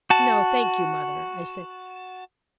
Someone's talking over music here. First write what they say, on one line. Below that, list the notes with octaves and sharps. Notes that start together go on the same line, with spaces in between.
"No, thank you, mother," I said.
F#4 A5